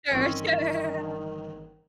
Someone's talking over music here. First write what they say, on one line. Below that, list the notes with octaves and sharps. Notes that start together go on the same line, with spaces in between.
Sure, sure.
G1 G2 D#3 E3 C4 C#4